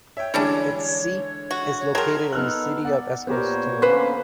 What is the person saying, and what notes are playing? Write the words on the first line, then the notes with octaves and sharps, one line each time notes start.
Its seat is located in the city of Eskilstuna.
C#5 E5 G5
D3 E3 G3 G#3 C#4 D4
F#4
C#5
F#3 G#4 A#4 G5 A5 C6
B3 D#4 A4 F6 F#6
D5 F#5
A#2 B3 G4 A#4 C5 C#5
D3 A#3 C#4 B4 C5